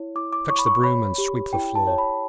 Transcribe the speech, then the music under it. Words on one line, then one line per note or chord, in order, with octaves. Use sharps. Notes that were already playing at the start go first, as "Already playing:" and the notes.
Fetch the broom and sweep the floor.'
Already playing: E4 C#5
E4 D6
D6
C#5 C#6
B5
C#6
C#5 B5
G4
E4 G5
A5
C#5
B5